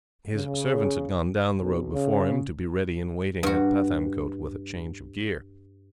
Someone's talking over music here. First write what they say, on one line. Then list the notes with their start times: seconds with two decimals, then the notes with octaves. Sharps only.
His servants had gone down the road before him, to be ready in waiting at Pathankote with a change of gear.
0.35 C#3
1.60 B1
1.93 C#3
3.43 G2 F#4